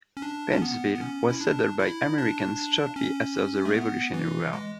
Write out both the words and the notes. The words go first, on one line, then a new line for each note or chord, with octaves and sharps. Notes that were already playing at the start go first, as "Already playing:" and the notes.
Painesville was settled by Americans shortly after the Revolutionary War.
C#4
D4
C#4
B3
B3
C#4
E4
D4
E4
D4
D4
C#4
A3
B3
E3
G#3